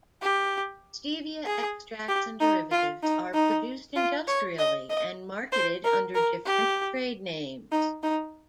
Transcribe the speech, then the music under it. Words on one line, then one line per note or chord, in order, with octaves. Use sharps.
Stevia extracts and derivatives are produced industrially and marketed under different trade names.
G4
G#4
G4
D#4
F4
D#4
D#4
F4
C#5
D#5
D#5
C5
A#4
A#4
G4
D#4
D#4